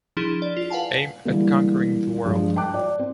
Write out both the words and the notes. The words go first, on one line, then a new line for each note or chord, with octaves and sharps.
Aim at conquering the world.
F3 D4 E4 G#4 G7
D5
F4
B4 F5 F#5 G#5 A5
D3 E3 G3 G#3 A#3
G2 F3 G#3
G5 A5 D6 F#6
D5
C4